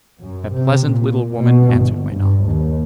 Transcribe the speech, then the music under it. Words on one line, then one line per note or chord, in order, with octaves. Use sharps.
A pleasant little woman answered my knock.
F#2
C3
A#2
B2
G1
G2
D#2